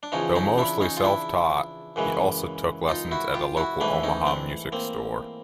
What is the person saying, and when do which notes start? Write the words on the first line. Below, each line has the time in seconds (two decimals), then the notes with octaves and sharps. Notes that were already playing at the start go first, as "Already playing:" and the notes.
Though mostly self-taught, he also took lessons at a local Omaha music store.
0.03 D4
0.12 E2 C#3 F3 C#4 D#4
0.35 C#4 D#4
0.58 D4 E4
0.81 C#4 D#4
0.97 F4
1.04 D4 E4
1.96 F#2 C#3 E3 G#3
2.88 D#4 F4
3.11 E4 F#4
3.34 F4 G4
3.57 E4 F#4
3.81 G#2 E3 A3 D4 E4
4.03 C#4 D#4
4.26 C4 D4
4.72 A#3 C4